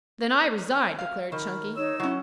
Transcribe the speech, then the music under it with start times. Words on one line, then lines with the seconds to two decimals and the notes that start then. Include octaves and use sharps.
"Then I resign," declared Chunky.
0.99 F5
1.32 D#3 A#4 B5
1.76 D#4 C#5 E6
2.00 F#3 C#4 E4